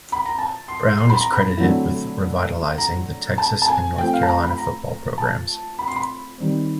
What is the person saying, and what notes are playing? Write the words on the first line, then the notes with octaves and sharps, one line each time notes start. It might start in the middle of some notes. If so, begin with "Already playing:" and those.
Brown is credited with revitalizing the Texas and North Carolina football programs.
B5
A#5
A5
C6
C6
B5
A#5
B5
D3 F#3 A3 C4 E4
A#5
A5
A5
G#5
F3 A3 C4 G5
F5
A5
A#5
B5
A#5
A5
B5
C6
B5
D#3 G3 C4